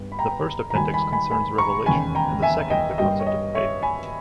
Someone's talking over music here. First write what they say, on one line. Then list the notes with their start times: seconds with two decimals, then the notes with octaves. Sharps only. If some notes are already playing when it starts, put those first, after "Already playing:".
The first appendix concerns revelation and the second the concept of faith.
Already playing: G2 G3 B3
0.12 B5
0.19 G5 A#5
0.70 A#5
0.75 D#2 D#3 G3 A#3 G#5 B5
0.94 G#5 B5
1.12 G#5 B5
1.31 G#5 B5
1.58 A#5 C#6
1.86 E1 D#2 C#3 G#5 B5
2.15 G5 A#5
2.42 E5 G#5
2.70 D#5 G5
2.98 G2 G3 A#3 D#5 G5
3.20 C#5
3.27 D#5
3.55 C#5 E5
3.82 G#5 B5